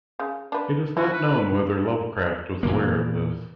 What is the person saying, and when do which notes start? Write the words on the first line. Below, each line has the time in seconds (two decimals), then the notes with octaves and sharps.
It is not known whether Lovecraft was aware of this.
0.19 C#3
0.52 D4 B4
0.97 E4 F#4
1.13 B4
2.63 A#2 E3 A#3